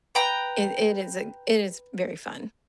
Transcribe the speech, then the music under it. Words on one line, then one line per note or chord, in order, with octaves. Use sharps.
i it it is it is very fun.
B4 G5 A#5